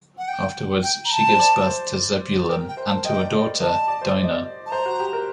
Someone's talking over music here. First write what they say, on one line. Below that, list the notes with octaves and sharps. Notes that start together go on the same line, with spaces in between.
Afterwards she gives birth to Zebulun and to a daughter, Dinah.
F#5
G5
G5
A#5
A5
C5
D5
C5
A#4 G5
G5
C5
A5
D#5 G5
D5
D#5
D5
D#5 A5
D5
D5
C5
D5
D#5
D5
A5
C5 A#5
F#4
G4
A#4